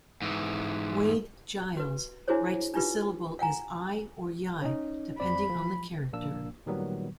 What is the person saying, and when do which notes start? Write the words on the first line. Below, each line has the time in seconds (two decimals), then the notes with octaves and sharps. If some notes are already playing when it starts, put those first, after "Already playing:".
Wade-Giles writes the syllable as "i" or "yi" depending on the character.
0.22 G#2 E3
1.77 F#4 B4
2.28 D4 E4 F#4 G#4 C5 C#5
2.74 D4 D#4 F4 G4 B4
3.39 F5 F#5 G#5 A#5
4.62 C#4 D#4
5.20 F2 C4 D5 B5
5.50 F3
6.13 A#1 A#3 D4 E6
6.66 A#2 D#3 F#3 G3 B3